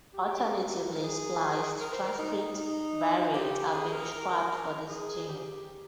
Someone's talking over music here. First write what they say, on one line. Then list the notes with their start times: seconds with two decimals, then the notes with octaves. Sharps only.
Alternatively spliced transcript variants have been described for this gene.
0.13 G4
0.25 G4
0.64 A#4
1.03 G#4
1.80 A#4
1.93 C5
2.07 A#4
2.19 D#4
2.58 D#4
3.35 G4
3.73 G#4
3.92 A#4
4.12 A#4
4.89 G#4
5.29 G4